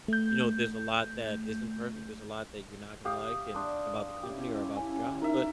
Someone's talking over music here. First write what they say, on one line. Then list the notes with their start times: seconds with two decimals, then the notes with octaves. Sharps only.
you know, there's a lot that isn't perfect, there's a lot that you're not gonna like and about the company or about the job, but,
0.08 A3 G6
3.05 G4 F5 D#6
3.54 D4 C6
4.23 C#4 E4 G4
4.77 G#5
5.22 D#4 A#4 E5